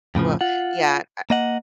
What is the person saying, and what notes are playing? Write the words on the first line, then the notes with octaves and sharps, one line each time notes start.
Well, yeah. Eh,
F2 A2 C#3 F3
F4 F#5
A#3 D#5 F#5